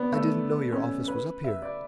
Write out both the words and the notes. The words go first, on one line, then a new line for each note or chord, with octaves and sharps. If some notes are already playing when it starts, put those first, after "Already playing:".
"I didn't know your office was up here."
Already playing: B3 D4
A3
C#4
B4
E5
D5